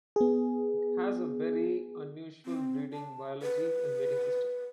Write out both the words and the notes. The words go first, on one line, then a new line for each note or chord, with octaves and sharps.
It has a very unusual breeding biology and mating system.
B3 G#4
C4
A5
B4